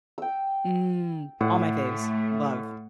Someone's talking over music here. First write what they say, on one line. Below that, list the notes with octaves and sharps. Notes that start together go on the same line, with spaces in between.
Mm, all my faves. Love.
G5 E6
A2 A3 F#5